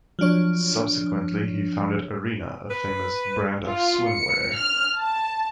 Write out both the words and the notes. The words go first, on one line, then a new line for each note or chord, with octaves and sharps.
Subsequently he founded Arena, a famous brand of swimwear.
F3 F#3 D4 C#5
B4
F4
C#7
F6
A5